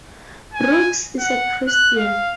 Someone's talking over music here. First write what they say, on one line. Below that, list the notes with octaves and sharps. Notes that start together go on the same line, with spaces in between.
Brooks is a Christian.
G#5
F#5
F#6
F5